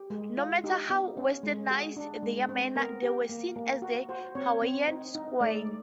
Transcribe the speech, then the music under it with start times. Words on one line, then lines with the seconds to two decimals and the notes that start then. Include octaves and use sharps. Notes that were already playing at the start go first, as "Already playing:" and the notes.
No matter how Westernized their manners, they were seen as a Hawaiian squaw.
Already playing: G4
0.10 G#3
0.37 F4
0.64 D#4 G4
0.90 B3
1.17 C#4
1.43 G#3
1.70 F#4 G#4
1.96 D4
2.23 G#3
2.49 C4
2.76 B3 A#4
3.03 G4
3.29 A#3
3.56 A#3
3.82 F#4
4.09 F#4 C5
4.35 C4 C#5
4.62 C4
4.88 D#4
5.15 D#4
5.41 A3 D5